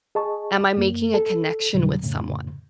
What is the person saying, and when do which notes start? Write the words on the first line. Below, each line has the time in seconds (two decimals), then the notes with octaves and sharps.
"Am I making a connection with someone?"
0.15 G#4 D#5 A5 C#6
0.77 F#2 A#3
1.14 A4
1.74 F2 B2 D3 F#3 G3
2.02 F2 A2 C#3